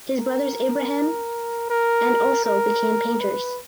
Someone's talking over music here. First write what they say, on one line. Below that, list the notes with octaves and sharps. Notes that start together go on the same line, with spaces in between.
His brothers Abraham and also became painters.
A#4
A#4
A#4
B4